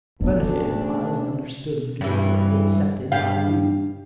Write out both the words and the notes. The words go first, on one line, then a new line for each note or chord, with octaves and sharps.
A benefit implies an understood inferiority accepted by you.
D2 C#3 E3 B3 D4
G2 E3
G2 G4 F5